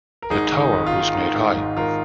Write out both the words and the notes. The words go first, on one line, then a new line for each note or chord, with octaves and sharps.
The tower was made high.
A#4
G#1 D#4 G#4
D#3
D#4
G#1
F4
D#3
G#1 D#4
G#2
G#1
G#1 F4 A#4